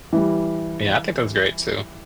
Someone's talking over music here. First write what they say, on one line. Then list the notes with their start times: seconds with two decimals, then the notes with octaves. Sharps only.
Yeah, I think that's great too,
0.13 E3 G3